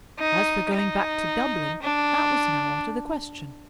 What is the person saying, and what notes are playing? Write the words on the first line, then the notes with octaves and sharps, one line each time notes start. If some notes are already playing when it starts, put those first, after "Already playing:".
As for going back to Dublin, that was now out of the question.
D#4
D#4
D4